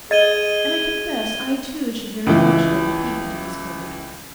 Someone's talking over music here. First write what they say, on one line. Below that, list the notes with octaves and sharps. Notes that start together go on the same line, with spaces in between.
And I confess I too should very much like a peep into his cupboard.
G#4 D#5 G#6 D#7 G7
C#2 E3